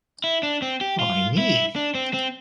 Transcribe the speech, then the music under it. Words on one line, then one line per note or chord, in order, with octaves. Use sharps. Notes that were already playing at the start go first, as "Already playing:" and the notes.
My knee.
E4
D4
C4
G4
F4
E4
D4
C4
C4